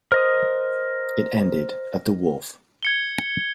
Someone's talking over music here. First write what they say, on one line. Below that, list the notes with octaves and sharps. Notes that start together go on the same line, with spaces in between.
It ended at the wharf.
A#4 C5 D#5 D#6
G#6 C#7 G7